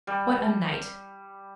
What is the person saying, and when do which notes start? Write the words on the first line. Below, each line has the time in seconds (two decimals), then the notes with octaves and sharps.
What a night!
0.07 G3